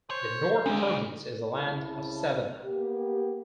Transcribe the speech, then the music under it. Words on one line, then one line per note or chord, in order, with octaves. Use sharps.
The North Province is a land of savanna.
C5 C#5
D2 G#3 D4
C2 C#3 E4 A5
A#3 B3 G4